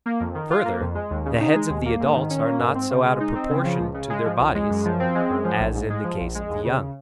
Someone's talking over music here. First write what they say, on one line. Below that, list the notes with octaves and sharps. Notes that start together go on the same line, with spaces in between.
Further, the heads of the adults are not so out of proportion to their bodies as in the case of the young.
A#3
F2
D#3
F4
A#3
F2
G#3
D#2
C#3
D#4
G#3
D#2
A#3
G#2
D#3
C#4
A#3
G#2
C4
C#3
G#3
D#4
C4
C#3
F3
C#2
C#3
G#3
F3
C#2
G#3
F#2
F3
C4
G#3
F#2
F3
A#1
G#2
G#3
F3
A#1
G#3
D#2
C#3